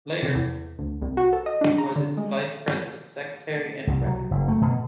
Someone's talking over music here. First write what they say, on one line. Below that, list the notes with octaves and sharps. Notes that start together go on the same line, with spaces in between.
Later, he was its vice-president, secretary and a director.
C3
E2
D2
C2
F#4
A4
D#5
D4
A#5
D3
G#3
C2
F#3
F#1
A3
B2